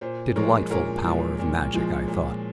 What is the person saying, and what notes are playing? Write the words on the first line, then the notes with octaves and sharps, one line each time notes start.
"Delightful power of magic!" I thought.
A#2 C5
F3 G#3 A#4 C#5
A#2 A#4 C#5
F3 G#3
A#2
F3 G#3
A#2